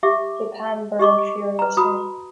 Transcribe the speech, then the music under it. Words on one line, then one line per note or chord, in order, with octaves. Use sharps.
Japan burned furiously.
G4 E5 D6
G4 D#5 C#6 D6
B4 A#5
F#4 A#5 B5 D#6